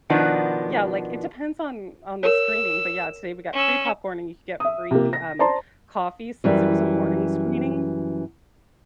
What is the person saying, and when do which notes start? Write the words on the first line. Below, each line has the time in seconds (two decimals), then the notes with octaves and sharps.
yeah, like, it depends on on the screening, but yeah, today we got free popcorn and you could get free, um, coffee since it was a morning screening.
0.10 B2 D#3 F3 B3 D4
2.23 A#4 C#5 E6
3.53 C#4 E6
4.60 E5 D#6
4.91 C3 A#3
5.13 A#6
5.39 C5 D5 A5 A#5 C6
6.44 F#2 E3 G3